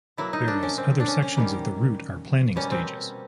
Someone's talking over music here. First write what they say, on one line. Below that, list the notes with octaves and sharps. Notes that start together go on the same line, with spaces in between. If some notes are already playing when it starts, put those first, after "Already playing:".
Various other sections of the route are planning stages.
B2 F#3 A#3 E4
D#4
D4
C#4
C4
D4
C#4
C#4
D#3 G3 A#3
B2 G3 A#3 C#4
C4